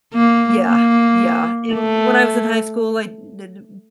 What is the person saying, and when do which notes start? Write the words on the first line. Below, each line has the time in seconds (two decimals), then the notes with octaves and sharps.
Y yeah, yeah. And when I was in high school, I did w
0.14 A#3
0.67 A#3
1.73 A3